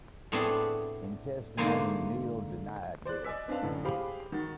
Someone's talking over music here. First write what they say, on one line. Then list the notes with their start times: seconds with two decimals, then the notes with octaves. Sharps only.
In testimony, Neal denied this.
0.32 A2 A3 B3 C4 D4 G#4
1.57 G#2 D3 A3 A#3 C5 G#5
3.05 C5 D5 C6 F#6
3.24 D5 D#5 G#5 E6 B6
3.48 C4 D4 B4 F5 A5
3.62 F#2 A2 D3
3.84 G4 G#4 C5 F5 B5 D6
4.32 D#3 F#4 A6